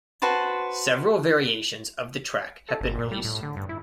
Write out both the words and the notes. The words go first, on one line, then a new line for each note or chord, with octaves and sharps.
Several variations of the track have been released.
F#4 B4 C5 A5
A4
G1
A#2
G3
A2
D3
G2
E4